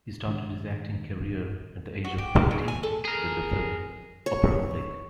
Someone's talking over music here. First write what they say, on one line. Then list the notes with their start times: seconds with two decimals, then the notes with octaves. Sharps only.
He started his acting career at the age of thirteen with the film "Opraholic".
0.25 A2 D#3 G#3 D4
2.05 F#4
2.18 G4
2.35 A#3
2.51 C#3
2.68 G#5
2.83 A4
3.05 G#4 A#4
4.26 C#5